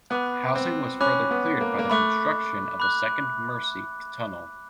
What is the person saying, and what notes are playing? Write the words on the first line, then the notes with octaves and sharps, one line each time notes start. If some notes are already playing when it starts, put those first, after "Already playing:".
Housing was further cleared by the construction of the second Mersey tunnel.
B3 B5 D6 F#6
C4
C#4 B5 D6 F#6
B3
A#3
A#3
A3 B5 D6 F#6
B5 D6 F#6